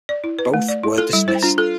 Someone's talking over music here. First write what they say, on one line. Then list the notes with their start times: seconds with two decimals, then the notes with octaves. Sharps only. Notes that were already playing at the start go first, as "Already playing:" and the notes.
Both were dismissed.
0.09 D5
0.24 E4
0.39 B4
0.54 A3
0.69 D5
0.83 E4
0.98 F4 A4
1.13 G3 E4
1.28 E4 C5
1.43 D4 F4
1.58 F4 A4